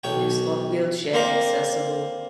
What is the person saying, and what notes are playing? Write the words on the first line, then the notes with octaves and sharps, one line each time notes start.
It is not wheelchair-accessible.
B1 C#5 G5
A#3 C4 A#4 C5 D5 A#5